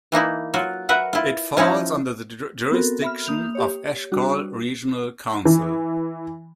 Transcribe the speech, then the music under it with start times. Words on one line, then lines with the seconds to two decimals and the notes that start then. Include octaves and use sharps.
It falls under the jurisdiction of Eshkol Regional Council.
0.12 E3 A#3 D#4 E4
0.54 F#3 F4 F#4
0.89 F#4 A#4 B4 E5 F#5
1.13 E4 F4
1.57 F3 C#4 D#4 E4
2.72 B3 C4 F#4 A4 A#4
3.02 E5 B5 F6
3.26 A#3 D#6 G6 F7
3.55 G4 C#5
4.12 G3 D4 F#4
5.45 E3